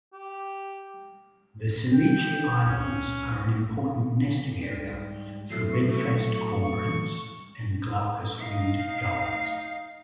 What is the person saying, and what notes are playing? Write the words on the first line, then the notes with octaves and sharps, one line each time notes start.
The Semichi Islands are an important nesting area for red-faced cormorants and glaucous-winged gulls.
G4
G5
C#2 C#4
G#2 G3
A2 F#3 A3 C7
C#6
C#6
D#4 F5